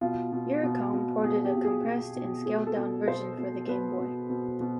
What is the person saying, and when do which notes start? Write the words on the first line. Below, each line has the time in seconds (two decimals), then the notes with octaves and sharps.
Eurocom ported a compressed and scaled down version for the Game Boy.
0.01 B2 F4
0.32 B2
0.63 B2
0.93 B2
1.24 B2 G#4
1.45 G4
1.55 B2
1.64 G#4
1.85 B2
2.16 B2
2.46 B2 G#4
2.67 A4
2.77 B2
3.07 B2 C5
3.38 B2
3.69 B2 B4
3.99 B2
4.30 B2
4.61 B2